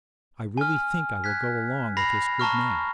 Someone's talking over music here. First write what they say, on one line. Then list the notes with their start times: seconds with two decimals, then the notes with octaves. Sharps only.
I really think I will go along with this good man.
0.57 G#5 F6
1.24 F#6 G#6 B6
1.97 B5 A#6 C7 F7
2.39 A5 A#5 C#6 F6